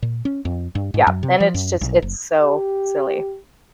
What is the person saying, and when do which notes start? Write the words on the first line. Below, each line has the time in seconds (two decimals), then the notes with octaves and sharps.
Yeah, and it's just it's so silly.
0.02 A#2
0.25 C#4
0.45 F2
0.75 G2
0.94 G#2
1.07 F#2
1.23 C3
1.40 F3
1.54 F#2
1.81 B1
2.02 F#1
2.40 G4